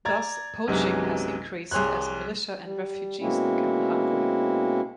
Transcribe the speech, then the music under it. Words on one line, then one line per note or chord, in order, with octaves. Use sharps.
Thus, poaching has increased as militia and refugees become hungry.
D5 A#5 G#6 A6
B1 F#2 C3 E3 G#3
C2 G#4 C#5 C6 F#6
G3
B2 G#3 A#3 C4 C#4 E4